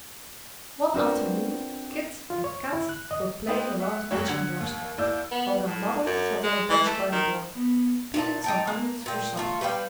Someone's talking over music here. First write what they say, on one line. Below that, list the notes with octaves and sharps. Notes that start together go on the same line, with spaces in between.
One afternoon Kit and Kat were playing around the kitchen doorstep, while their Mother sat on a bench by the door, peeling some onions for supper.
C4 D4 F4 F#4 A#4 B4
F4
C#5
E4
F#6
D#5
B3 C4 D#4 G4 B4
E5 F#5
F#1 C2 F#4 G4 C#5
D3 F#5 G#6 C#7
D#2
D#2 E4 D5 E6 G6
B3
A2
F#2
G#3
E3
A3
D#3
B3
A#2 G4 A5
D#4 G5 A5
A#3
A#2 G5
A3 F4
G3 B4 F5 G5